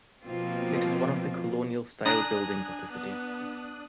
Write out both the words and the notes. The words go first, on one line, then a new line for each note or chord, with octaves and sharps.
It is one of the colonial style buildings of the city.
B2 F3 A#3 C4 F4
D4 G#5 A#5 D#6 F#6
B3